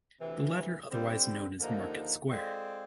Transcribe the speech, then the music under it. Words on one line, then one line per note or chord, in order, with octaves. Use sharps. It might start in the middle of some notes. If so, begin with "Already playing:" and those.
The latter otherwise known as Market Square.
D2 C3 E3
D3 G3 C4
D#2 D3 F3 A#3 D#4
G#3 C4 F4 A4 D5